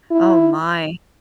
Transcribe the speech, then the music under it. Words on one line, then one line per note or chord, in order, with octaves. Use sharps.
Oh my,
E4